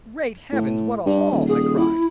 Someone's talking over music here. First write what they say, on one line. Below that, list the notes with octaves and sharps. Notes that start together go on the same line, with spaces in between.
"Great Heavens, what a haul!" I cried.
A2
G2
D#1
G#4
E4